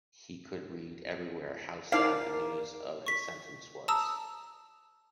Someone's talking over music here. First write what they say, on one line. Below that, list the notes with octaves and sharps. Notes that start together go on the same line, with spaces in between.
He could read everywhere how sad the news of his sentence was.
D#4 A#4 C5 D5 F5
C#6 B6
A5 A#5 D#6 E6